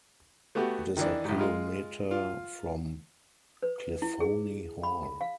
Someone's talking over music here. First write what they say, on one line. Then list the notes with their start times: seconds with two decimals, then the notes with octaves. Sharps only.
It is a kilometer from Cliffoney Hall.
0.55 A3 B3 F#4 G4
0.97 D#3 E3 D4
1.25 A1 G#2
1.39 G#3 F4
2.11 F4
3.63 B4
4.02 E4
4.20 G#4
4.83 B5
5.21 F5